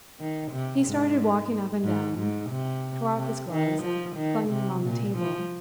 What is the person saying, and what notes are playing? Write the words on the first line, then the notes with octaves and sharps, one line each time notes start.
He started walking up and down--tore off his gloves and flung them on the table.
D#3
C3
G#2
G#2
G#2
C3
C3
D#3
F3
D#3
C3
A#2
F3